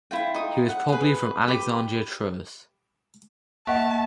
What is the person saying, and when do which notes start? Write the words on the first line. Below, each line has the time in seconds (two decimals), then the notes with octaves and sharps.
He was probably from Alexandria Troas.
0.11 E4 F4 G5
0.34 D#4 D#6
0.68 F#5
0.89 G#4 B4
1.48 G4 B4 B5 D6
3.67 A#3 E5 F#5 A5